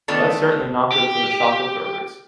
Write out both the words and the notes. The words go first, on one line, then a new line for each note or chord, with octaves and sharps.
That's certainly not good for the shock absorbers.
D#3 A3 B3 D4 F4 A4
G4